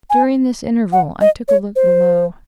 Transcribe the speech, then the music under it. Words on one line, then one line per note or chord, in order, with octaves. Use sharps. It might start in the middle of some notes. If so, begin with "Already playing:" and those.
During this interval I took a look below.
G#5
F#5
D#5
C#5
C5